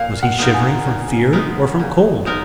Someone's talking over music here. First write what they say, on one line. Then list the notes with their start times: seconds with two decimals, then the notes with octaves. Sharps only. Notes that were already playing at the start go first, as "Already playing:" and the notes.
Was he shivering from fear or from cold?
Already playing: A#2 F5
0.23 F#5
0.38 G#3 B3 D#4 A#4
0.54 G#5
0.86 A#2
1.32 G#3 B3 D#4 A#4
1.80 A#2
2.26 G#3 B3 D#4 A#4